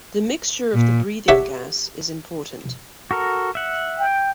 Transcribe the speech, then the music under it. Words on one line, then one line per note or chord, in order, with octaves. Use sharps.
The mixture of the breathing gas is important.
A#2
D4 G4 C#5 E5 F#5
F#4 A4 A#4
E5 F#5
G5